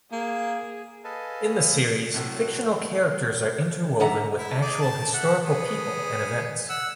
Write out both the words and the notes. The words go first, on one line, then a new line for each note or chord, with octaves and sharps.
In the series, fictional characters are interwoven with actual historical people and events.
A#3 G#4
A4 B4 D#5 F5 G#5 A5
A2 C3 F#3
G#2 D3 E5 F#5 A#5
E4
D#4 G#4 D5
A5
E5 F#5
B3 G#4
F#5 E6